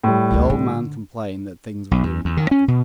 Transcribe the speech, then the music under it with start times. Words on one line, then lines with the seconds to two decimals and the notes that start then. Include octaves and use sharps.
The old man complained that things were doing badly.
0.04 A2 G3
0.31 A1 D2
0.50 D3
1.91 B1
2.03 E2
2.25 E2
2.37 D#3
2.51 C#4
2.68 B2